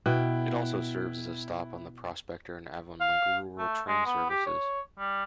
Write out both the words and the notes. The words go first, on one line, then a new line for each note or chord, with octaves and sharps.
It also serves as a stop on the Prospector and Avonlink rural train services.
B2 E4 G5 F#6
F5
A3
G#3
B3
G4
C#5
G3